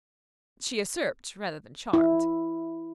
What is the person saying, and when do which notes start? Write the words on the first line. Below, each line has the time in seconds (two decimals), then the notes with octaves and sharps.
She usurped rather than charmed.
1.93 E4